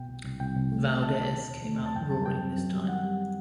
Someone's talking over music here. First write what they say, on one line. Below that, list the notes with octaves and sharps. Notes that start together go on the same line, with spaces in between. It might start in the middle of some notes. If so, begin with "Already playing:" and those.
Valdez came out roaring this time.
Already playing: B2 G5
C2
C2
C2 G5
C2
A3
C4
B2 A5
B2 A5
D#3
D#2
A3
D#2
A5
F#2 G5
G3 A5
F#2 G5
C4
F#2
G3
D#3 F#5
G3